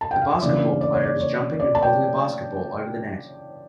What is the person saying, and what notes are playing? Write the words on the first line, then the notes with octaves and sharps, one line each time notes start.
A basketball player is jumping and holding a basketball over the net.
A5
G5
F5
E5
C#3 E3 A#3 D4 D5
D5
C#5
D5
C#5
D5
A5
G5